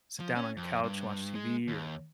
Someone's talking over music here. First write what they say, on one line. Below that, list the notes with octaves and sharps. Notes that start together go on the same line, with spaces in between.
sit down on your couch and watch TV, or
F3
C#4
F2
G2
G#3
D#2